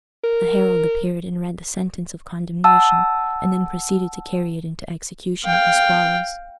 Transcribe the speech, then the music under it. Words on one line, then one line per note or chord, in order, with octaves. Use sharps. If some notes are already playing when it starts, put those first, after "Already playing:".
A herald appeared and read the sentence of condemnation, and then proceeded to carry it into execution, as follows.
A#4
F#5 A5 E6
F5 G5